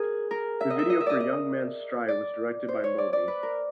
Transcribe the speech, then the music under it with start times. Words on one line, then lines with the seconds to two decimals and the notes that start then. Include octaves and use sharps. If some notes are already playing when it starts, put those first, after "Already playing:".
The video for "Young Man's Stride" was directed by Moby.
Already playing: G#4 A#4
0.31 A#4
0.61 E5
0.70 D#5
0.79 E5
0.90 D#5
1.00 E5
1.06 D5 D#5
1.20 D#5
2.08 D5
2.69 C5
2.84 C#5
2.98 D5
3.13 D5
3.28 B4
3.43 A#4